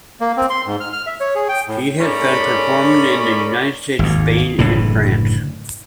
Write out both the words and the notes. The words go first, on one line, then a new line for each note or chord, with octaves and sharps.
She has been performing in the United States, Spain, and France.
A#3
C4
C6
G#2
F6
F6
E5
C#5
G#4
G5
A2
G#2 A3 C#4 A#4 D5 B5
G#1 D#2
F#1 A2 D3 E3